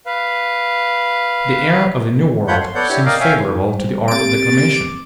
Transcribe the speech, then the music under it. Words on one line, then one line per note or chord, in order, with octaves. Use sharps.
The air of the New World seems favourable to the art of declamation.
B4 F5
A3 F4 C#5 F#5 B5 G6
C6
B3 A4 C#5 D5 F#5 G6
D4 E4 G4 C#5
A#4 D5 D#5 F5 G5
C#5 E5 F5 G5 G#5
D#4
G3 C5
A#3 C4 G4 A6 D7
D6